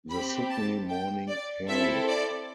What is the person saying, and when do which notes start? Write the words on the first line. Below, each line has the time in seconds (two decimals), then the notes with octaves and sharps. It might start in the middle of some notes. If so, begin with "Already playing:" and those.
The Sydney Morning Herald.
0.11 C4 G4 B5
0.50 A5
0.90 G5
1.29 D5
1.68 C4 E4 A4 E5
2.08 D5